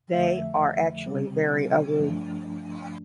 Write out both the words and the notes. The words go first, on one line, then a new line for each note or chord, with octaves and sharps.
They are actually very ugly.
F2 D3 F3 A3 E5
C3 G3 C4
G2 F3 A3 D4